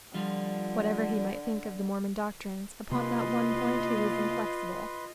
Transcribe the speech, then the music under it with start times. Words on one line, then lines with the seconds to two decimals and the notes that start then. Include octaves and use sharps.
Whatever he might think of the Mormon doctrines, upon that one point he was inflexible.
0.14 D3 F3 G3 F4
2.91 C3 A#3 F4 B4 D#5 C6